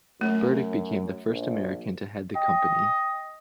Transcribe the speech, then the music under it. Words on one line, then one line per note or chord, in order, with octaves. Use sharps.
Burdick became the first American to head the company.
F#2 A3
A#1
D#5 G5